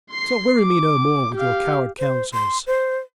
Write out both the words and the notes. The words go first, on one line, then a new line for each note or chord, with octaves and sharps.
So weary me no more with your coward counsels.
C6 C7
D6
G4 F5
C5
C6
C5